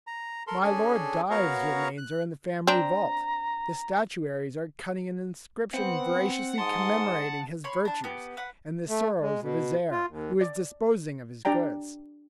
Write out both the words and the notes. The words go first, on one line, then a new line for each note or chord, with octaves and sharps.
My Lord Dives's remains are in the family vault: the statuaries are cutting an inscription veraciously commemorating his virtues, and the sorrows of his heir, who is disposing of his goods.
A#5
A4 A#4 C6
C#4 D4 G#4 A4 G#5
B3 F#4 A#4 C#5 F5 A#5
F#6
C4 D4 A#5
B3 C4 F#5
G#2 A5 C6 D#6
C#5 B5 C6
D4 A5
B3 G4
B4 F#5
A3
G#3
B2
F4
D#2
D5
D4 G4 D5 G5 A#5